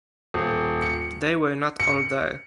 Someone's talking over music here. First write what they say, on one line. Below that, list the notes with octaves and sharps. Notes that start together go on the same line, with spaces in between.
They were not all there.
D#1
C#7
C#7